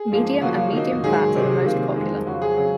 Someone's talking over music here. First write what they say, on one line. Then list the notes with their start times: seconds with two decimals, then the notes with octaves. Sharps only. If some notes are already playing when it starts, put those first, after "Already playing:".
Medium and medium-fat are the most popular.
Already playing: G#4
0.12 G#2 F3 A#3
0.41 C#3 F3 A#3 F4 F#4
0.72 D#3 F#3 A#3 D#4
1.04 G#2 D#3 F#3 G#4
1.34 C3 D#3 F#3 C4 D#4
1.65 C3 D#3 A#3 F4
1.95 F2 D#3 G#3
2.27 F2 C#3 F#3 F#4
2.42 G#4
2.57 C#3 F#3